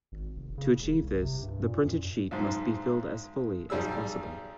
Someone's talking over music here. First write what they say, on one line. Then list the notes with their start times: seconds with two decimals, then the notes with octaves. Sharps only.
To achieve this, the printed sheet must be filled as fully as possible.
0.12 G#1
0.36 F1
0.58 C#3
0.77 E1
1.02 C2
1.22 C3
1.43 G2
1.63 A#2
1.85 F#2
2.31 B1 G#2 C5
3.70 B1 G3 G#4 E6